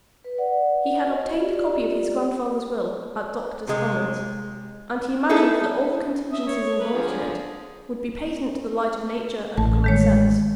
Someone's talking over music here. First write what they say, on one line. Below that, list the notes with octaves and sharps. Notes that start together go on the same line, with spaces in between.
He had obtained a copy of his grandfather's will at Doctors' Commons, and he imagined that all the contingencies involved in it would be patent to the light of nature and common sense.
B4
D5 F#5
F#4 D#5
F4 G4 D5
C3 G#3
A#3 D#4 E4 G#4 A4
E5 D#6
C#5
A#4 B4
D3 F3 G#4
A1 A5
D#3 G#3 C#5